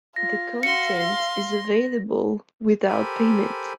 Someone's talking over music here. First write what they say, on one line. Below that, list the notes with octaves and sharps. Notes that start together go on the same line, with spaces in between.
The content is available without payment.
F4 A#6
F#4 F5 C6 C#7
C6
G4 A4 A#4 C5 G#5 B5